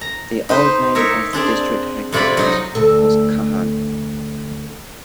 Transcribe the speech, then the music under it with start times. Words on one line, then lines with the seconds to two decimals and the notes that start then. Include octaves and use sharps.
The old name of the district headquarters was Kahan.
0.01 A#5
0.49 D#4 B4 C5
0.95 D#4 A#4 C#5 E5
1.33 C4 D4 G#4 D5
2.12 F2 C3 F4 D5 B5
2.37 F#3 D#4 D#5
2.75 D2 A4